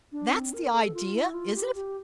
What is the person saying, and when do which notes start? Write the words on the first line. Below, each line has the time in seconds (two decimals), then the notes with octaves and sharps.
That's the idea, is it?
0.12 D4
0.32 C4
0.53 A#4
0.74 A4
0.94 F4
1.15 E4
1.34 F4
1.55 G4
1.75 G4